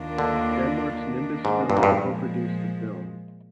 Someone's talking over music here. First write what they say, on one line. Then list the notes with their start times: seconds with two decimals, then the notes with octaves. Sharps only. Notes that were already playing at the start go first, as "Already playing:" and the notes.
Denmark's Nimbus Film will co-produce the film.
Already playing: D#2 D#3 A#3 D4 F4
0.18 D3
0.94 D#3 A#3 D4
1.45 G#2
1.70 G2
1.77 G#2
1.83 G2
1.94 A#2 F3 G#3